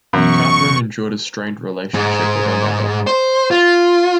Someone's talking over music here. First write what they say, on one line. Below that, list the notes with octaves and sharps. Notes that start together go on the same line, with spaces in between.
Katharine endured a strained relationship with her mother.
F#2 B2 E3 B3 C#6
G#2
C5
F4